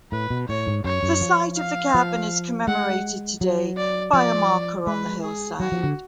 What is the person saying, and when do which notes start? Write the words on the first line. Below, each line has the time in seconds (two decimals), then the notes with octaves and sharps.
The site of the cabin is commemorated today by a marker on the hillside.
0.12 A2 B4
0.30 B2
0.49 A2 C#5
0.67 G#2
0.84 F#2 C#5
1.03 F#2
1.21 F3
1.58 F5
1.94 F3
2.67 G#3 F#5
3.41 F#3
3.77 D5
4.13 F3 D5
4.87 G#3 B4
5.23 G#4
5.59 F#3 F#4
5.72 F3
5.84 D3